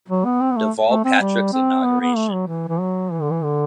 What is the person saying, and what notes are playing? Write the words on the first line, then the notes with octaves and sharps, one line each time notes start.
Deval Patrick's inauguration.
F#3
B3
C4
B3
A3
A3
C4
G3
C4
B3
B3
A3
F#3
E3
E3
F#3
E3
D3
E3
D3